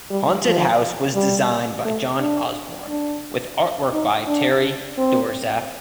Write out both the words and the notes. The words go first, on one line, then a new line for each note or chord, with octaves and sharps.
"Haunted House" was designed by John Osborne, with artwork by Terry Doerzaph.
G3
F3
G3
A3
D4
D4
D#4
D4
C4